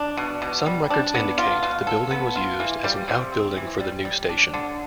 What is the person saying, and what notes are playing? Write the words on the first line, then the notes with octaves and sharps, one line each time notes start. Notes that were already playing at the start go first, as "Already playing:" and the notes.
Some records indicate the building was used as an outbuilding for the new station.
Already playing: D4
B2
B2
G3
D4
B3
F4
B2
A4
B3
F4
E3
G3
C3
C4
E3
G3
G3
D4
D3